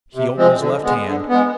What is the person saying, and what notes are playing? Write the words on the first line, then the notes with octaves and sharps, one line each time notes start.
He opened his left hand.
C3
F3 G#3 C4
D3
G#3 B3
D3
G#3 B3